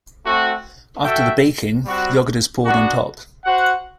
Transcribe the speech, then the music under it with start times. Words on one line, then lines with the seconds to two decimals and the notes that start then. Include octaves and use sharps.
After the baking yogurt is poured on top.
0.24 A3 C4 F#4
1.04 F#4 A4 E5 G5
1.85 G3 C4 F#4
2.65 B3 D4 F#4
3.45 F#4 C5 F#5